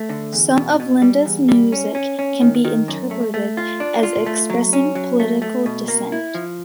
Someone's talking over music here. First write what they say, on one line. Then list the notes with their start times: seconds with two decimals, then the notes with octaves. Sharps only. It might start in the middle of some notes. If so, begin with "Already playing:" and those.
Some of Linda's music can be interpreted as expressing political dissent.
Already playing: A3
0.09 D3
0.33 E2
0.57 B2
0.80 B2
1.02 G3
1.26 E2
1.49 G3
1.72 C#4
1.95 C#4
2.19 C#4
2.41 D#3
2.65 D#3
2.88 F#2
3.11 A3
3.34 A3
3.57 F4
3.80 D4
4.03 F4
4.26 A3
4.50 F#3
4.73 C#4
4.95 F#3
5.20 A3
5.42 A3
5.66 B2
5.88 A#3
6.12 E4
6.34 F3